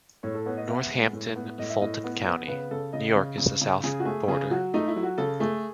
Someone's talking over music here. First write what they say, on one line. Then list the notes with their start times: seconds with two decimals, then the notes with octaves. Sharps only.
Northampton, Fulton County, New York is the south border.
0.23 A2 C#5
0.35 A4
0.46 B3 C#5
0.57 D#5
0.68 B3 E5
0.91 G#3
1.13 A2
1.36 B3
1.58 A2 D#5
1.70 E5
1.81 A2 D#5
2.04 B3
2.26 B3
2.48 C#3 B4
2.71 C#3 A4
2.93 C#3 D#5
3.16 C#3
3.38 C#3
3.61 C#3
3.83 C#3 G#4
4.00 F#4
4.05 A3 G#4
4.28 C#3 G#4
4.51 F#3 F#4
4.74 A3 D#4
4.88 E4
4.96 F#3
5.03 F#4
5.18 C#3 A4
5.40 A3 G#4